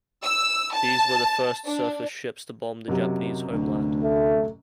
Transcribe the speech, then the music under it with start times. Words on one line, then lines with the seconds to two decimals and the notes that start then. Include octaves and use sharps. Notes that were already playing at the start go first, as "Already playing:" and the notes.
These were the first surface ships to bomb the Japanese homeland.
0.23 E6
0.74 A5
1.65 D4
2.88 F#1 C3 F#3
3.53 D2
4.03 A3